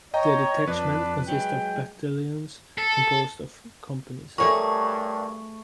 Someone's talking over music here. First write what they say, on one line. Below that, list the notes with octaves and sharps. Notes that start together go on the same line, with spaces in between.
The detachment consists of battalions composed of companies.
C#5 D#5 G5 A#5
F2 D4 B4
F#3 G#3 G5
A4
G2 A3 G#4 A#4 C#5 C#6